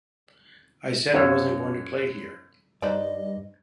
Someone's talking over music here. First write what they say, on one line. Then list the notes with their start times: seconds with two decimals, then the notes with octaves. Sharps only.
I I said wasn't going to play here.
1.13 F#2 F#4 C#5 F5 E6
2.82 G2 D#4 B4 C5 D5 D#5